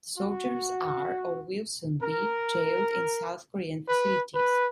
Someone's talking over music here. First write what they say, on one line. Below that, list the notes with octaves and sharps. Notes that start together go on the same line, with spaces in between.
The soldiers are, or will soon be, jailed in South Korean facilities.
F#4
A#4
B4
B4